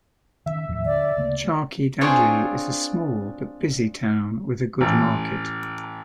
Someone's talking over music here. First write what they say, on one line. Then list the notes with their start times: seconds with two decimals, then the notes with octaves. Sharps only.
Charkhi Dadri is a small but busy town with a good market.
0.46 D#3 C#4 E5
0.68 D#2 A2 F3
0.86 D3 D5
1.17 D2 C#3 A#3
2.01 C4 D4 F4 G#4 C#5 G5
4.81 A1